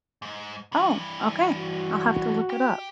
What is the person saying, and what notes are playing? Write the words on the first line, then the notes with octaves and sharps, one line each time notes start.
Oh, okay, I'll have to look it up.
G#2
G2 E3
F#4
G4